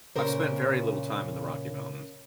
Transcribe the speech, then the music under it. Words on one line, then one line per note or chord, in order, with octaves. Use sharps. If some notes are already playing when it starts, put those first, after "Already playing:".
I've spent very little time in the Rocky Mountains.
A#2 C#3 A#4 C5